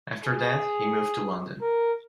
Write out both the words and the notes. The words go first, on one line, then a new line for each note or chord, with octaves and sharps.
After that, he moved to London.
G#4
A#4